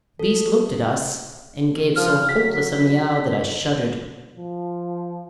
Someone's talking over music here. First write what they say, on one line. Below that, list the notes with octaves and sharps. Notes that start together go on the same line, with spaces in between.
The beast looked at us and gave so hopeless a miau that I shuddered.
A4
F3 F6
F#3 B6
F3